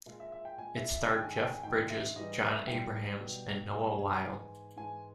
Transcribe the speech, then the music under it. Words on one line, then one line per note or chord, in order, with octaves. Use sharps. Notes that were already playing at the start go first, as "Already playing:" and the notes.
It starred Jeff Bridges, Jon Abrahams, and Noah Wyle.
A#2 G#3
E5
E5
G5
A#2 G#3 G#5
E5
E5
G#2 D#3 G#3 G5
G#5
G5
G#5
G#2 D#3 G#3 G5
E5
G#2 E3 G3 D#5
E5
E5
G#2 E3 G3 G5
B2 G3
B2 G3 G#5
G#5
G#2 E3 G#3
G#2 E3 G#3 G#5